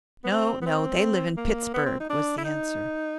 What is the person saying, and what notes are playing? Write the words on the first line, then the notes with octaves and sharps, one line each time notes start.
"No, no, they live in Pittsburg," was the answer.
B3
C4
B3
C4
A#3
B3
C4
D#4
D4
E4
D#4